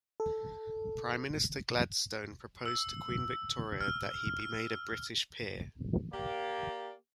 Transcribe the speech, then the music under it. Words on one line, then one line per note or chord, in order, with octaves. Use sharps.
Prime Minister Gladstone proposed to Queen Victoria that he be made a British peer.
A4
E6
F6
F6
A#3 G4 D5